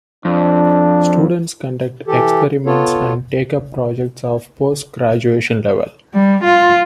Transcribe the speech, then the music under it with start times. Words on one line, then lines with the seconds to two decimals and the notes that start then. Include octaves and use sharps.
Students conduct experiments and take up projects of post graduation level.
0.25 F2 D4
2.07 E3 G4 A4
2.66 B3 F4 A4 C#5
6.14 G3
6.44 F4